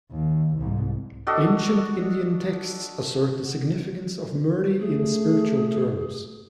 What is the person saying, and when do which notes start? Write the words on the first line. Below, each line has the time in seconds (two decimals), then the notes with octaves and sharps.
Ancient Indian texts assert the significance of "Murti" in spiritual terms.
0.11 D#2
0.57 C2 G#2
1.27 D4 F#4 A4 D#5
4.80 A3 G#4